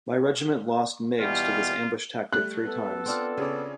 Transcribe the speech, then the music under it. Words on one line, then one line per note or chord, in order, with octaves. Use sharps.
My regiment lost MiGs to this ambush tactic three times.
B2 E3 G3 F4
G3 A3 F#6
B3 A4
C4 D4 F4
C#3 C#4 G#4 D5